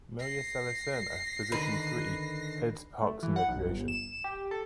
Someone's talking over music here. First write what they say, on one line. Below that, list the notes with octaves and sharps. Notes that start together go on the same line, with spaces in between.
Mariacela Serna, position three, heads parks and recreation.
A#6 C7
D3 D#3 A#4 B4
A3
E3
F#5
B1
G1
E7
G4
A4